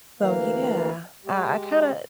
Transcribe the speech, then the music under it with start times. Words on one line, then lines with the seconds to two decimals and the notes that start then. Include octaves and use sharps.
So, yeah, I I kinda
0.21 D2 E3 A#3 F5
1.25 G#3 G4